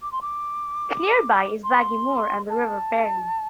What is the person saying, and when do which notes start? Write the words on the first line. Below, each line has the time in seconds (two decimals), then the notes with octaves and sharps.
Nearby is Baggy Moor and the River Perry.
0.02 D6
0.12 C6
0.22 D6
1.64 C6
2.49 A5